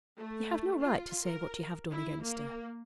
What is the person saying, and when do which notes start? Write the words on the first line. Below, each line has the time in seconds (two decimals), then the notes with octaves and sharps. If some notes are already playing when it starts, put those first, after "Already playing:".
You have no right to say what you have done against her.'
0.17 A3
0.82 F4
1.25 A#4
1.90 E4
2.22 A#3